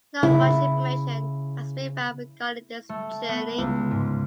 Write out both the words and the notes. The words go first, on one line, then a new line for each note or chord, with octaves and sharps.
Not much information has been found regarding this tourney.
C#3 E4
A3
B3
C#2
G#2